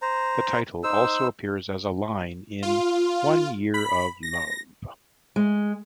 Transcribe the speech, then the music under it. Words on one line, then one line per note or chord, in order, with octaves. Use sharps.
The title also appears as a line in "One Year of Love".
C5 A#5
D#4 C5 E6
F4
B5
A#6
G#3